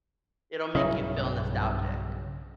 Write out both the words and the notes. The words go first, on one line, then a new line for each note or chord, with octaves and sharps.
It'll make you feel nostalgic.
B1 G2 C#3 F#3 C#4 E4 D#5